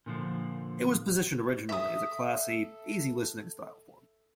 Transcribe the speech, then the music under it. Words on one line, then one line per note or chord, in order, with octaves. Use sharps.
It was positioned originally as a classy easy listening style format.
A#2 D3 F3
A4 E5 D#6